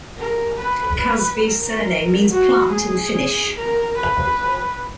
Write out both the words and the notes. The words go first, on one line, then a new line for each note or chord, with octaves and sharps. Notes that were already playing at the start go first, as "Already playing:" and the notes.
Kasvi's surname means "plant" in Finnish.
A#4
B4
A#4
F#4
G#4
A#4
B4